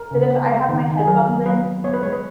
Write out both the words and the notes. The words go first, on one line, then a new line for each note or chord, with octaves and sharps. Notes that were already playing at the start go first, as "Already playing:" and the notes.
that if I have my headphones in,
Already playing: A#4
C#3
B3
G#3
D#3
D#3
G#4
F#3 A#4
B3
F#3 B4
B3
B3 C#5
B4
G#3 C#5
B4